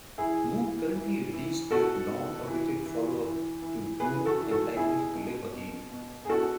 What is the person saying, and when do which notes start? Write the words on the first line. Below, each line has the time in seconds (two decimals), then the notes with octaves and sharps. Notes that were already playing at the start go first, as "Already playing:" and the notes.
Mood currently released their long-awaited follow up to "Doom" entitled "Live Again".
0.18 E3 E4 G#4
0.57 E3
0.94 E3
1.33 E3
1.71 B2 F#4 A4
2.10 B2
2.47 E3
2.86 E3
3.24 E3
3.62 E3
4.00 E3 G#4 B4
4.26 F#4 A4
4.38 E3
4.51 F#4 A4
4.76 B2 E4 G#4
5.14 B2
5.53 B2
5.91 B2
6.25 G#4
6.29 B2 F#4 A4